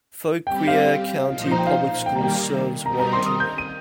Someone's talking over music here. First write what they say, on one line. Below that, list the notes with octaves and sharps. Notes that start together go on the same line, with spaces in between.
Fauquier County Public Schools serves Warrenton.
G3 C4 G4 G5
F5
A#2 F3 D#4 C5
A#5
G5
F5
D#3 G3 A#3 G5
A#5
G5
D#3 G3 C4 D#4 A#4 A#5
A#5
C6
D#6
G6
D#7